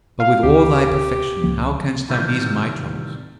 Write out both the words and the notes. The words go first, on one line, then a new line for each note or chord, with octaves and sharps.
But with all thy perfection how canst thou ease my troubles?
F5
D2 G4
C#2 F3 A#3
A2 C3 D#3 E3 G3 F4